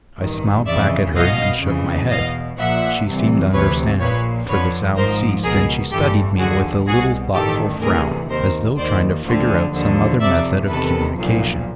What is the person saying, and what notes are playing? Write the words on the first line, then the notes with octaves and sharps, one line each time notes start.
I smiled back at her and shook my head. She seemed to understand, for the sound ceased, and she studied me with a little thoughtful frown, as though trying to figure out some other method of communication.
A1 G2 D#3
F2 C#3 E3 D5 E5
C2 B2 D#5 F5
F2 C#3 E3
E2 B2 D#5 F5
A#1 A#2 F3 E5 F#5
C2 C3 E3
D2 C3 E3 B4 C#5
A#1 A#2 F3 B4 C#5
F2 D3 F3 B4 C#5
G#1 G#2 F3 A#4 C5
C#2 B2 G#4 A#4
A1 G2 E3 G4 A4
D#2 D3 F3 F#4 G#4
C2 B2 F#4 G#4
A1 G2 D#3 G4 A4
D2 C3 E3 G#4 A#4
D#2 D#3 A#4 C5
D#2 D#3 C5 D5
D2 D3 F3
D#2 D3 F3
F2 C3 F3 D5 E5
E2 C3 D#3 A4 B4
B1 A#2 F3